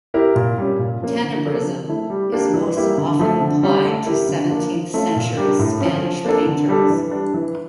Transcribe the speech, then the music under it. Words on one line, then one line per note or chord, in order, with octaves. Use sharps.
Tenebrism is most often applied to seventeenth-century Spanish painters.
E4 G4 A#4
A#2
G3 C#4
A#2
F3 A#3 C#4
D3
F3 A#3 D4 A4
F3
A3 E4
G3
A#3 D4 G4 A#4
E3
G3 A#3 E4 G4
D3
F3 A3
D3
G3 C#4 F4
A3
E4 G4 A#4
D3
F3 A#3 D4 F4
F3
A3 C#4 F4
A#2
G3 D4 G4 A#4
A2
F3 C#4
F3
A#3 D4 A4
D3
G3 D4 A4
E3
G3 D4
E3